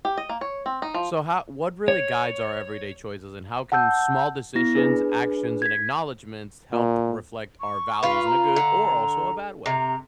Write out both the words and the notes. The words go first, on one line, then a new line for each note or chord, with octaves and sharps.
So, how what really guides our everyday choices, and how can small decisions, actions, and acknowledgments help reflect our values in a good or, also, a bad way?
G4
D#5
A#3
C#5
C4
D#4
F3
C#5
F#5 A5 E6 G6
B3 E4 A#6
D4 G#4 B4
G#6 B6
A#2
C#6
F4 B4
A#5
D3
C3 A#5